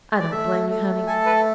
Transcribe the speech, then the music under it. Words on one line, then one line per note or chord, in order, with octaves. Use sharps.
I don't blame you, honey.
D5
A3 E5
A3
A4 G#5
B4